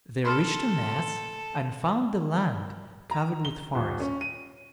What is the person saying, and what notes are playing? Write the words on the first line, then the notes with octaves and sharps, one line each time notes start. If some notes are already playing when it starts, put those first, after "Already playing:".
They reached a ness, and found the land covered with forest.
A4 B5 C6 F6
A#5
G7
D#1
C#4
D#7